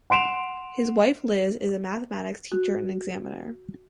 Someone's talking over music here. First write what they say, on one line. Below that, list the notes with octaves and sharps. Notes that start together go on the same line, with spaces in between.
His wife, Liz, is a mathematics teacher and examiner.
F#5 C6 D7 E7 F7
F#4